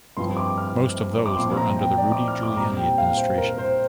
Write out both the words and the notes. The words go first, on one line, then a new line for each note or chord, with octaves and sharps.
Most of those were under the Rudy Giuliani administration.
G2 F3 C4 C6
D6
F6
D6
A#2 F3 C4 C6
A#5
G5
D5
D6
F6
D6
A#2 G3 C4 A#5
G5
F5
C5
A#4
C5